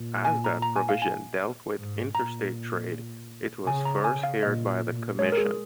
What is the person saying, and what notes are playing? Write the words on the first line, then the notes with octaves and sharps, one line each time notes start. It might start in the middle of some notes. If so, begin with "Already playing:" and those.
As that provision dealt with interstate trade, it was first heard by the Commission.
Already playing: A#2
G#5
A#5
A#5
G#5
F5
G#5
G#2
A#2 A#5
C#3 G#5
A#5
G#5
F5
A#2 D#5
G#3 C#5
A#4
G#4